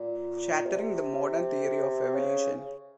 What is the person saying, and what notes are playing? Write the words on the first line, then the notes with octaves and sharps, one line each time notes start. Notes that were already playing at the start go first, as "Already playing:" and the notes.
Shattering the Modern Theory of Evolution.
Already playing: A#2
C3
C#3